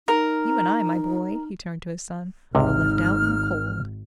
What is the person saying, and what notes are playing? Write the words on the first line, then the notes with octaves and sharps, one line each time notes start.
"You and I, my boy," he turned to his son, "are left out in the cold."
D#4 A#4
G#1 C#2 C3 D#4 F6